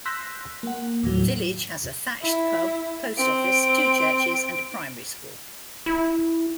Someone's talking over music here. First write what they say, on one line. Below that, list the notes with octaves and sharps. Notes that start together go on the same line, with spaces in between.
The village has a thatched pub, post office, two churches and a primary school.
C6 E6 F#6 G6 A#6 B6
A#3 F#5
D#2 A2 F#3
E4
C4 D7
E4